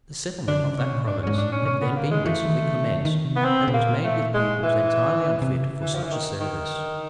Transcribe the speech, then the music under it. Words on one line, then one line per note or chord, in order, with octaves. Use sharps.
The settlement of that province had then been recently commenced, and was made with people entirely unfit for such a service.
D3 D4
C#3
C3 C#4
A#2
G#2 D4
G#2 C#4
D4
A2
C#4
C3
B2 C#4
C3
C#3 B3
D3 A#3
D#3 G#3
E3 A3
D#3
C#3
D3
D#3
C3
B3
C4
B2
A#2 A#3
A3
G#3
E3
D#3
D3
C#3
C3
C#3
D3 E3
F3
E3
D#3
D#3